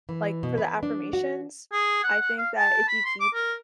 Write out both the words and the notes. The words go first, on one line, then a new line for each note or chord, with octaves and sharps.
like, for the affirmations, I think that if you keep,
E3
B2
B4
D4
F#4
G#4
F#5
F#5
F5
A5
B5
C6
D6
A#4